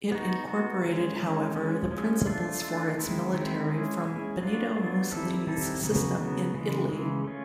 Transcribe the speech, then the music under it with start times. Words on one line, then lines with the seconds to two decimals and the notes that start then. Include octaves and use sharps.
It incorporated, however, the principles for its military from Benito Mussolini's system in Italy.
0.12 B3 D#4 F#4
0.48 B3 D#4 F#4
0.83 D#3 G#3 C#4
1.19 D#3 G#3 C#4
1.55 F3 G#3 C#4
1.91 F3 G#3 C#4
2.26 A3 D4 F4
2.62 A3 D4 F4
2.98 D#3 G#3 C4 E4
3.34 D#3 G#3 C4 E4
3.68 G#3 C#4 E4 G#4
4.05 G#3 C#4 E4 G#4
4.40 F#3 B3 D4 F4
4.75 F#3 B3 D4 F4
5.11 D#3 G3 C4 E4 A4
5.47 D#3 G3 C4 E4 A4
5.83 C#3 F#3 B3
6.18 C#3 F#3 B3
6.54 C#3 E3 G#3
6.89 C#3 E3 G#3
7.24 A3 C#4 F4